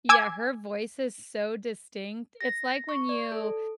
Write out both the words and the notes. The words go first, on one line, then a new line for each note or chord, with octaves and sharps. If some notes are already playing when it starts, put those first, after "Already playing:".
Yeah, her voice is so distinct. It's like when you
G#5 D6 E6 G#6
A#6
C#6
D5
A4